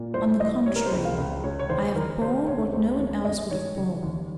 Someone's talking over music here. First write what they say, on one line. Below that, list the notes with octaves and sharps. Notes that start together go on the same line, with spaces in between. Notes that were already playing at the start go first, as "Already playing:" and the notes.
On the contrary, I have borne what no one else would have borne.
Already playing: A#2
C2 C5
C2 D#5
C3 C#5
A#4
C5
C#2
F5
C#2
C#3 C#5
C#5
D#2 C5
D#2 A#4
C3 C5
C#2 C#5
C#2 C5
D#3 C#5
G2 D#5
D#3 C#5
C#3
D#2